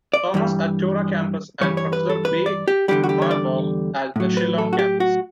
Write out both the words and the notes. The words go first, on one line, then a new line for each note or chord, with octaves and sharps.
Thomas at the Tura campus and Professor B. Myrboh at the Shillong campus.
D5
G2 E3 G3
G2 E3 G3 C#5
C#5
B4
A4
B4
D5
G4
E2 D3 G3 G4
F#4
G4
C#5
D5
A2 F#3
B4
A4
F#4
G4
F#4